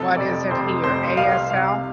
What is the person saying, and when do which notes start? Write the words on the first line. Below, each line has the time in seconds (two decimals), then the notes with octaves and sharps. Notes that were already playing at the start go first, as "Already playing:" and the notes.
What is it here? ASL?
Already playing: F1 F2 C3 A4
0.17 F1 F2 C3 D5
0.50 F1 F2 C3 C5
0.84 F1 F2 C3 C5
1.16 C2 C3 F5
1.50 C2 C3 F5